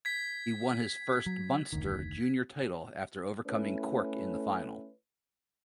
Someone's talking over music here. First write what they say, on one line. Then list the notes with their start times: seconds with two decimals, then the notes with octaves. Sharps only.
He won his first Munster Junior title after overcoming Cork in the final.
0.05 G#6 B6
1.26 F#3
1.73 F1 D2 D#3
3.47 A3 C#4 E4 B4